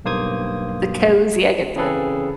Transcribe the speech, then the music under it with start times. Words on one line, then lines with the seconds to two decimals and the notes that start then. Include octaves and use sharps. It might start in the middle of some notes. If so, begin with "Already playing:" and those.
The cozy. I get the
0.05 B1 G2 A#3 C5 D#6 G#6
1.76 C#3 E3 C4 G#4 A4 B4